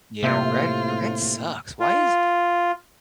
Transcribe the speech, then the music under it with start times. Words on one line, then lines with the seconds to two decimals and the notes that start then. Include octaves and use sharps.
Yeah. Rent your rent sucks. Why is
0.23 A2 C3 A#3 F4 E5 G6
1.80 F4